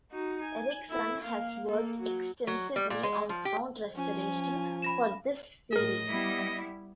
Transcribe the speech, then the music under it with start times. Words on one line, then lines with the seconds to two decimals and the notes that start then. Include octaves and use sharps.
Erikson has worked extensively on sound restoration for this series.
0.12 D#4 F#4
0.43 G#5
0.90 E4 A4
1.22 A#3 F5
1.68 A#3 A4
1.99 F#3 F#4
2.47 F#3
2.76 G3
2.90 A#2
3.03 G#3
3.29 F3
3.45 G4
3.95 F3 C#4 G#5
4.82 B5 A#6 E7
5.73 A2 G#4 A#4 D#5
6.09 G3 B3 E4